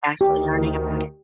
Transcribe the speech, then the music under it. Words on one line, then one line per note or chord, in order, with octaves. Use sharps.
Actually learning about it.
D2 D#3 G4